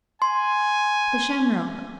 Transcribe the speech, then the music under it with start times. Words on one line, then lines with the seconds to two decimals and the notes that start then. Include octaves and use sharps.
The Shamrock.
0.22 G#5 C6